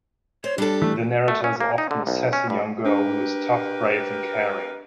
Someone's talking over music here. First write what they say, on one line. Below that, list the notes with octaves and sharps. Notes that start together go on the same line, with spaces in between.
The narrator is often a sassy young girl who is tough, brave, and caring.
C5 C#5
G3 D4 A4
E3 A3
A3
C#4
A#3
D#4
D3
B1
C#4
G2
D4 G4 A#4 B4